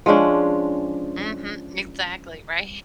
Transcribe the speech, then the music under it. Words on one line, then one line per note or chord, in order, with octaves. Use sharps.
Mhm, exactly, right?
F3 G#3 C#4 D4